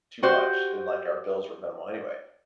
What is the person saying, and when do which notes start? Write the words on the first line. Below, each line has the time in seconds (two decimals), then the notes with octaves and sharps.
too much and, like, our bills were minimal anyway,
0.23 F#4 G4 C5